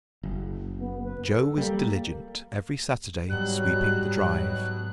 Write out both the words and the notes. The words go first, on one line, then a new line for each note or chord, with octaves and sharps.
Joe was diligent every Saturday sweeping the drive.
F#1
B3
B4
A4
G3 A#3
G#2 B2 F#3 G3 F#6